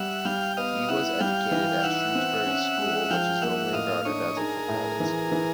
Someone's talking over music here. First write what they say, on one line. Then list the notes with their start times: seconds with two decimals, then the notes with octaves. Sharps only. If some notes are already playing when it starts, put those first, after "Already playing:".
He was educated at Shrewsbury School, which is normally regarded as a footballing school.
Already playing: G3 E5 F#5
0.25 G3 F5 G5
0.57 B3 D#5 F5
0.88 E4 E5 F#5
1.20 G3 F5 G5
1.51 E3
1.83 D#4 E5 F#5
2.15 C4
2.47 C#4
2.78 G#3
3.10 F3 F5 G5
3.42 A#3 E5 F#5
3.73 A2 D#5 F5
4.05 D4 C#5 D#5
4.36 D#4 G#4 A#4
4.68 A2
5.00 E3
5.32 E3